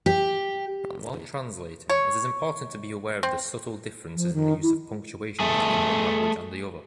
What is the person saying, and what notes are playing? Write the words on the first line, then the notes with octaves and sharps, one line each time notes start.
While translating, it is important to be aware of the subtle differences in the use of punctuation between one language and the other.
G4
C#5
C4
F3
D#3
E4
A3 G#4